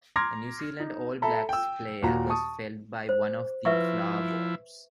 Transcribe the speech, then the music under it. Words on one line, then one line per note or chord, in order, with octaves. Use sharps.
A New Zealand All Blacks player was felled by one of the flour bombs.
A#5 C6 D6 F6 G#6 A#6
D#4
A4 E5 A#5 B5
G5 E6
D#2 A#2 F#4 A#5
A5 C#6 D#6
C5
F3 E4 B4 E5 C#6